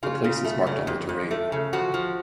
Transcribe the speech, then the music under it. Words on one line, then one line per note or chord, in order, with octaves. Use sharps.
The place is marked on the terrain.
C#3 F4
C#3
A3
C#3
F2
F2
A3
C#3
F3 F#4
F3